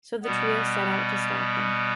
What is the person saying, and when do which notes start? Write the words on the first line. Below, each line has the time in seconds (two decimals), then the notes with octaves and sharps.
So the trio set out to stop him.
0.23 B2 G3 B3